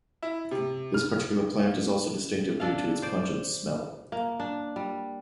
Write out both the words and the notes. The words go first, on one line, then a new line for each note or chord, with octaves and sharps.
This particular plant is also distinctive due to its pungent smell.
E4
C3
F6
D4 A4 F5
C5 D5
A#3
D4
G3